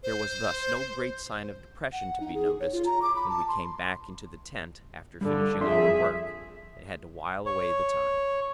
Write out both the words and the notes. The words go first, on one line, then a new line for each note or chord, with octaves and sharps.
There was thus no great sign of depression to be noticed when we came back into the tent after finishing our work, and had to while away the time.
C5
F#5
D#4
G#4
C#5
F4
A#5
D6
B5
A5
C6
G2 D3 G3
F2 F3 G#4 E5 C6
C#5